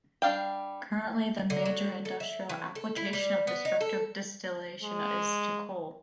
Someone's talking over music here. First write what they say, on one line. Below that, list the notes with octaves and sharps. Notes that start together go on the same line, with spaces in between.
Currently the major industrial application of destructive distillation is to coal.
G3 D4 F5 G5
D3
F#3
A4
E5
E3
A4
E4
G3
B3
D#4
A4
G#3